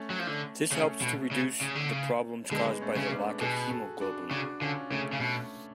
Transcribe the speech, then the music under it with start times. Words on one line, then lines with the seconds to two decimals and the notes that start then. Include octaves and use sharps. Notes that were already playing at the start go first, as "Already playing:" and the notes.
This helps to reduce the problems caused by the lack of hemoglobin.
Already playing: A3 C#4
0.10 F#3
0.19 F3
0.27 D3
0.72 C#3 A3 C#4
1.02 B2
1.31 C#3
1.61 C#3
1.75 D3
1.89 C#3
2.51 D3 G#3 B3
2.81 A3 C#4
2.97 C#3
3.11 B3 D4
3.41 B2 G#4 B4
3.71 F#4 A4
4.01 D4 F#4
4.31 C#3 D4 F#4
4.62 D3 C#4 F4
4.91 C#3 A3 C#4
5.12 C#3
5.21 B2